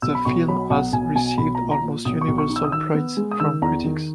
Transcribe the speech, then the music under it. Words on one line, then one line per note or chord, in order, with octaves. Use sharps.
The film has received almost universal praise from critics.
B1 E6
B5
B1 C#6
F#3 B5
B1 F#5
B1 G#5
B2 G#5
B1 B5
A#5
A#2
A#5
A#2
B1 D#6
C#6
B1
C#6
D#4
E6
D#6
D#3 E6
B3
G#3
D#6
D#3 E6
E2 A#5
D#3